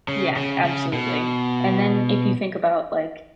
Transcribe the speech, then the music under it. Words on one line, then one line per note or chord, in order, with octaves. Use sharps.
Yeah, absolutely. And then if you think about, like,
C#3
C#3
C#3
B2